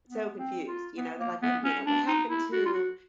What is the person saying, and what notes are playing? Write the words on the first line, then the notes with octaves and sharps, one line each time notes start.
so confused, you know, they're like, "Wait a minute, what happened to"
B3
C4
F4
B3
A#3
B3
C#4
D4
D#4
E4
F#4
F4
F#4